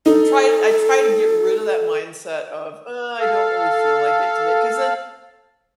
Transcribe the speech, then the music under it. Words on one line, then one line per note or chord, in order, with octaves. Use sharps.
I'm try I try to get rid of that mindset of, "uh, I don't really feel like it today" 'cause then
D#4 A4
A4 F5